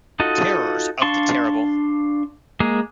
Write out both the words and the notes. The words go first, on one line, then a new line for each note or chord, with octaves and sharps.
Terrors of the terrible!
D#4 F4 F#4 A4 D#5
D4 F5 A5 C6 C#6
G#3 A#3 G#4